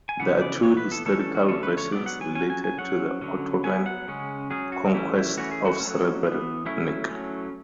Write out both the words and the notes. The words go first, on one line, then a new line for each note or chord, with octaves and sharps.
There are two historical versions related to the Ottoman conquest of Srebrenik.
G#5
C#3 E3 B3 F#5
D5
E3 B3 C#5
B4
A4
E3 A3 C#4 A4
A4
F#4
D3 A3 C#4 A4
B4
C#5
F#3 B3 D5
F#5
G#5
F#3 C#4 G#5
G#5
G#5
F#3 C#4 F#5
D3 F#3 C#4
F#3 B3 G#5
F#5
C#3 G#3 C#4
F#3 C#4 G#4
F#4
E3 A3 C#4 E4
E4
E3 A3 C#4 F#4
G#4
F#4
F#3 A3 C#4
E3 B3
F#3 A3 C#4 E4
E4
F#3 A3 C#4